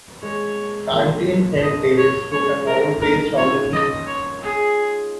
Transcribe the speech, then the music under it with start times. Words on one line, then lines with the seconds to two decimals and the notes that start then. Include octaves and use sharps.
Franklin M. Davis wrote a novel based on the theme.
0.22 G#3 C#5
0.92 F3 A#3
1.63 D#5
1.98 C#5
2.32 G#3 C#4 C#5
2.67 A#4
3.02 A#3 D#4 A#4
3.37 C#4 F4 C#5
3.73 D#5
4.06 C#5
4.42 G#4